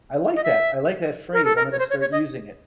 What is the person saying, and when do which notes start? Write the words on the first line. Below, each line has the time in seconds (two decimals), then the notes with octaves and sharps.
like that. I like that phrase, I'm gonna start using it.
0.35 D#5
0.44 E5
1.33 A#4
1.45 A4
1.56 A#4
1.72 C#5
1.79 C5
1.90 C#5
2.01 C#5
2.12 D#5